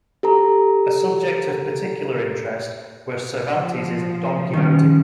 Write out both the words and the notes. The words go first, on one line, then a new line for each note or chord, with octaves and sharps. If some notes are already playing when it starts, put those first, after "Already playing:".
A subject of particular interest was Cervantes's "Don Quixote".
G4 A4 A#5
F3
D#3 G3 C#4